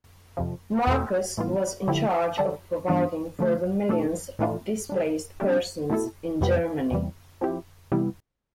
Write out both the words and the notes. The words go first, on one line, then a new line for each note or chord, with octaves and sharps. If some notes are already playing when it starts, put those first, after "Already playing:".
Marcus was in charge of providing for the millions of displaced persons in Germany.
F2 C3 F3
E2 B2 A3
A2 E3 G3 B3 F4
D3 F3 A3 E4 G4
D3 G3 D4 A4
G2 E3 B3 D4 F4
D3 F3 A3
B2 A3 D4 A4
A2 E3 A3 D4 F4
D3 G3 D4
C3 G3 D4 G4
B2 A3 E4 A4
F2 C3 G3 B3
E2 C3 E3 G3
F3 C4 E4 G4
C3 E3 G3 B3 E4